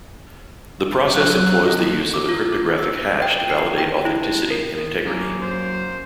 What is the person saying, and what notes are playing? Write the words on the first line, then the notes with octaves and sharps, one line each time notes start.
The process employs the use of a cryptographic hash to validate authenticity and integrity.
F#3 F#6
D#5
D6
F4
E6
G5
C7
G5
E4
A#4
F#2 A#3
C5